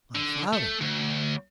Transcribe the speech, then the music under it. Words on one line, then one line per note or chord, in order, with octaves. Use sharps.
"My father!"
D3
A3
D2